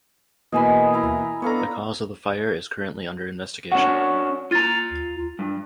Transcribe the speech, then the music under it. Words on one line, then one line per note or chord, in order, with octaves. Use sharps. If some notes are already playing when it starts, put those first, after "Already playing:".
The cause of the fire is currently under investigation.
B2 E3 A#3 D#5 G#5 B5
E4 G#5 A#5
B3 D4 A4 C#5 F5 A#5
C#4 D4 F#4 F#5
F4 A#5 A6 D#7
G2